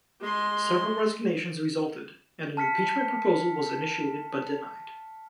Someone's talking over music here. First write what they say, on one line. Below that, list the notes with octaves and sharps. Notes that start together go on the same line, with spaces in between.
Several resignations resulted, and an impeachment proposal was initiated but denied.
G#3 C6
A5 F6 B6 C#7